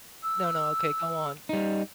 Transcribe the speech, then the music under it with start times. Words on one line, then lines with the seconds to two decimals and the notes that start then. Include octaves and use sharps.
No, no, okay, go on.
0.23 E6
1.49 G3 D#4